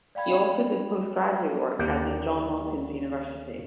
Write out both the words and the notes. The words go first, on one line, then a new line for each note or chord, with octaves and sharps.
He also did post-graduate work at The Johns Hopkins University.
D5 F5 G5 B5 G#6
D#2 D3 A#3 G4 F#5 G5